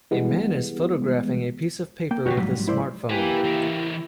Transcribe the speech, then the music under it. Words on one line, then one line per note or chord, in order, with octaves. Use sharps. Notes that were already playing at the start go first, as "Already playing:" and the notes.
A man is photographing a piece of paper with his smartphone.
E3 G3 G#3 B3
A#3 G5
E2 G#2 B2 F#4 G4 C#5
A#1 G#2 F#3 G3
E4 C5 D5
A#3 E4 G4 B4 G#5
E3 A#4